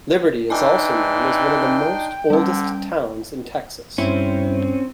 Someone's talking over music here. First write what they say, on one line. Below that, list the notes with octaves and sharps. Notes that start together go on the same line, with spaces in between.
Liberty is also known as one of the most oldest towns in Texas.
E3 D4 D#4 G5 G#5 C6 D6 E6
D3 G3 C#4
G2 C4 C#4 E4